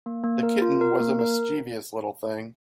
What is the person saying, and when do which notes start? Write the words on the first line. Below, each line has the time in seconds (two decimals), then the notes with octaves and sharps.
The kitten was a mischievous little thing.
0.06 A#3
0.24 A#3
0.43 A#4
0.62 F4
0.81 A#4
1.00 A#3
1.19 A#4